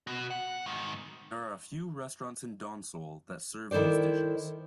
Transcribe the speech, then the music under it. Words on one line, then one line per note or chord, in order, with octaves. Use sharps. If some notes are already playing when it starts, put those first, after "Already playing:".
There are a few restaurants in Donsol that serve these dishes.
B2 F#4
F#5
G#2 D#3
D#3 E4 A4 C5 D5